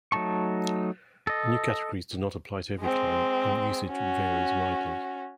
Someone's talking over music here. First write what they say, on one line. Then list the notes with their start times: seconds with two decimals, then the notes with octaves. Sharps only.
The new categories do not apply to every climb and usage varies widely.
0.12 F#3 A3 D#4 A5 C#6
1.27 A4 D#5
2.80 G#3 C4
3.89 C#4 F#4